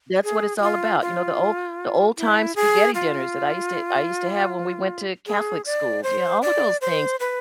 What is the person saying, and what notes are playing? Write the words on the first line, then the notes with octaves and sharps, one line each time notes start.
that's what it's all about, you know, the old the old time spaghetti dinners that I used to I used to have when we went to Catholic schools, you know, all of those things,
G#4
G#4
F4
F4
E4
G#4
F4
G#4
D5
C5
D5
C5
B4